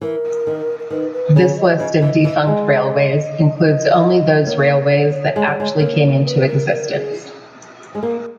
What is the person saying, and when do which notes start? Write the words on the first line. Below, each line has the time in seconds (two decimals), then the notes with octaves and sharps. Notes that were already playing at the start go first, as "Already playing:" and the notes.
This list of defunct railways includes only those railways that actually came into existence.
0.01 E3 A#4
0.47 D#3
0.79 A#4
0.90 D#3 B4
1.13 B4
1.35 C#3 C#5
1.58 D#5
1.80 C#3
2.02 E3
2.25 E3
2.47 G#3
3.58 D#5
4.46 A#3 C#5
5.36 G#3
5.47 G3
5.60 G#3
5.80 A#3
6.25 B4
6.47 A#4
6.69 B4
6.74 A#4
6.92 G#4
7.95 G#3
8.03 A#3